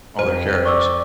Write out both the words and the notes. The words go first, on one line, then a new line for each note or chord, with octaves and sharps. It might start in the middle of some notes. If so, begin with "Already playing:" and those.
Oh, they're characters.
F2 C5
D5 C#6 D6 E6